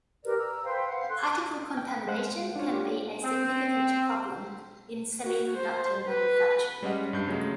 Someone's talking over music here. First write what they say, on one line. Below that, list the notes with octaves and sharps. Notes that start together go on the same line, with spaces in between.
Particle contamination can be a significant problem in semiconductor manufacturing.
G4 A#4 B4 D5
A#5 E6
B4 C5 F5 G5
F5 F#5
A4 C6 F#6
G5
G#3 C5 F5 F#5 C6
D4 D#4 F4 C#5
G4 D5
C4
F#4
C5
B4
G3 G#3 C#4 D#5 F#5
G2 G6 C7
C#3 F#3 G#3 A3